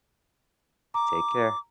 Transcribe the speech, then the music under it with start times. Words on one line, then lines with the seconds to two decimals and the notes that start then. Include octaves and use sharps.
Take care.
0.94 A#5 D6